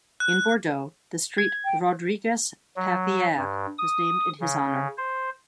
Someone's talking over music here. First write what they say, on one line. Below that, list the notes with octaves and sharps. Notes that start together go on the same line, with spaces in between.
In Bordeaux the street "Rodrigues-Pereire" was named in his honor.
F#6
G#6
G5
F#3
G2
D#6
C#3
C5